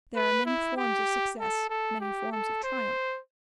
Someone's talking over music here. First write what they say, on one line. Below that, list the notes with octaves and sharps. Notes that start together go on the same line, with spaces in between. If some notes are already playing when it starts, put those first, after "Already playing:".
There are many forms of success, many forms of triumph.
B4
E4
G4
A4
A4
G4
A4
C5